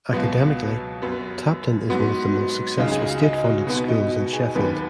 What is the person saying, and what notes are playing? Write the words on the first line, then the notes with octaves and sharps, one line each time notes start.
Academically, Tapton is one of the most successful state-funded schools in Sheffield.
C#2 B2 F#3 B3 F#4
F#2 F#3 B3
G#2 F#3 B3 F#4
F#4
C#2 C#3 G#3 D#4
G#4
F#4
D#4
F#4
B2 B3 F#4
D#4
F#4
G#4
D#2 D#3 F#3 B3 B4